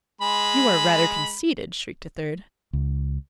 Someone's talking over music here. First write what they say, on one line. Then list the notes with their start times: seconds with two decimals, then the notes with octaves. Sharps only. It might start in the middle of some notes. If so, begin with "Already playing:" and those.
"You are rather conceited," shrieked a third.
0.21 G#3 B5
2.73 C#2